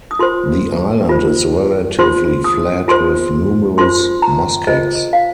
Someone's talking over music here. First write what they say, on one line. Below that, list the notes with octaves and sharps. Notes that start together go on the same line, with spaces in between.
The island is relatively flat with numerous muskegs.
D#6
F4 C5 C6
F4 C5
F4 C5 C6
D#6
F4 C5 C6
F4 C5 C6
A#5
F4 C5 D#5
F5